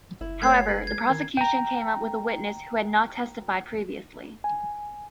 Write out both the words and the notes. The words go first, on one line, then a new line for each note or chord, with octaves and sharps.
However, the prosecution came up with a witness who had not testified previously.
F#1 E4
A3 A#3 F#4 C#5 G#6 C7
G#3 B4
G#6
D#3 E3 A#4
G5 A#5
G#5